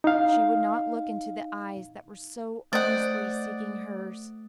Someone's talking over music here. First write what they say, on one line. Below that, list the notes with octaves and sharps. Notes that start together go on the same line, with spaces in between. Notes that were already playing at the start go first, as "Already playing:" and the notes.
She would not look into the eyes that were so earnestly seeking hers.
D#4 F5
A3 C5 D5 D#5 F#5 D#6 G6